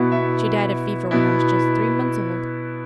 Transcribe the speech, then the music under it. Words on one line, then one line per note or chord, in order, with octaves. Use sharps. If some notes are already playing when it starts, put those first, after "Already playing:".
She died of fever when I was just three months old.
Already playing: B2 B3 E4 F#5
E5
B2 B3 E4